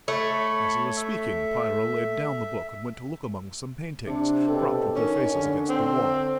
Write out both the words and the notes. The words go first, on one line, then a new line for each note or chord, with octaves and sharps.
As he was speaking, Piero laid down the book and went to look among some paintings, propped with their faces against the wall.
A3 C#5 B5
E5
C3 D4
B2 G4 A4
D#3 C#4
D3
C4